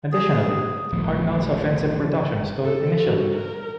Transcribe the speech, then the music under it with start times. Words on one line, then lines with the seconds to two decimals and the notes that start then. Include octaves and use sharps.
Additionally, Hartnell's offensive production slowed initially.
0.12 G#4
0.93 G1 C#2 A2 F3
2.63 A4
3.01 F#4
3.33 A#4